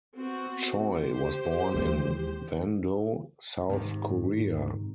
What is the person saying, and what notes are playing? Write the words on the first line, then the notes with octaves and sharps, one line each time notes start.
Choi was born in Wando, South Korea.
B3 C4 F#4
G4 C5
D#2 E3 G#3
G#2 C3 D#3